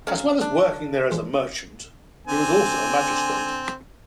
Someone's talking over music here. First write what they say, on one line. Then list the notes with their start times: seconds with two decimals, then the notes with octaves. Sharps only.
As well as working there as a merchant, he was also a magistrate.
0.07 F#3 A3 C#4 F5
0.41 D4
1.12 E3 F3 G#3
2.27 D3 C4 G#5